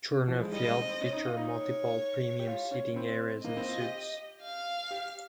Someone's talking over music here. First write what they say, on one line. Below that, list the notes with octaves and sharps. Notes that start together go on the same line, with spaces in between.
Turner Field featured multiple premium seating areas and suites.
F3
G#3
G3 D#5
G#3
C4
C4
C#4
D#4
F4
D#4
C#5
G4
F4
C#4
C4
A#3 D#5
C4
F4
G4
F5
G4